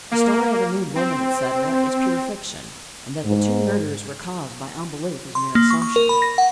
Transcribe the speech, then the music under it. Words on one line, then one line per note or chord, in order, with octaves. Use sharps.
The story of a "nude woman," etc., is pure fiction, and that the two murders were caused by unbelief is mere assumption.
A#3
C4
G#2
C6
A#3
C#6
C#6
A#4
B5
A#6
F#5